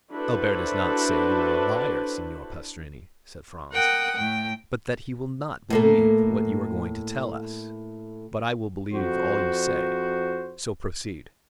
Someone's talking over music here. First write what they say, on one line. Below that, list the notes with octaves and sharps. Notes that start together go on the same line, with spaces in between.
"Albert does not say you are a liar, Signor Pastrini," said Franz, "but that he will not believe what you are going to tell us,--but I will believe all you say; so proceed."
D4 E4 F#4 A4 B4 C5
A#4 F#5 G5 D#6
A2 G5
A2 A#3 A4
F2 F#4 C5